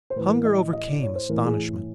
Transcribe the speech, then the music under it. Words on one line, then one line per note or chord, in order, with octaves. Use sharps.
Hunger overcame astonishment.
C5
A2 E3 B4
A#4
D#5
D#5
D5
C#5
C5
A2 E3 A#4
G#4